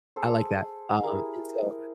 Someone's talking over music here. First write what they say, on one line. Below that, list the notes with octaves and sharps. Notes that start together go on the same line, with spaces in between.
I like that, um, and, so,
G#4 A4 C5
E4 G4 G#4 A#4